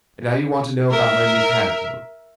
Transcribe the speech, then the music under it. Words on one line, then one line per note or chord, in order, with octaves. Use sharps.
And now you want to know about my new catacomb.
A#4 E5